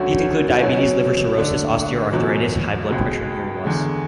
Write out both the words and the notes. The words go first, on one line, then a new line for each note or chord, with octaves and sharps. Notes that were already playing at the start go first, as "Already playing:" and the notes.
These included diabetes, liver cirrhosis, osteoarthritis, high blood pressure, and hearing loss.
Already playing: D2 D3 F#3 C#4 F#4
B2 F#3 C#4
D3 A3 D4
E2 B2 F#3
C#2 B2 G#3
E2 D3 G#3